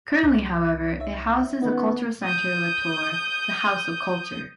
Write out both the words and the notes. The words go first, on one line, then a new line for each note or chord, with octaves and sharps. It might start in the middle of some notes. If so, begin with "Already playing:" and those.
Currently, however, it houses the Cultural Center la Torre, the House of Culture.
C2 D6
D#4 C#5 E5
D#3 B3 C#4 D#4
D#6 G6